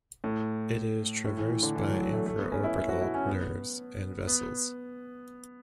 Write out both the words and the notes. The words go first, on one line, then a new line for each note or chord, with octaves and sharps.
It is traversed by infraorbital nerves and vessels.
A2
A2
E3
E3
D3
E3
F#3
F#3
A3
A3
B3
C#4
E4
E4
F#4
E4
C#4
B3
B3